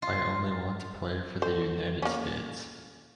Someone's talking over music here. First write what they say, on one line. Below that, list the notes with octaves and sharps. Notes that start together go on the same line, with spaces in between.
I only want to play for the United States.
F4
A4 C5
A#3 C#4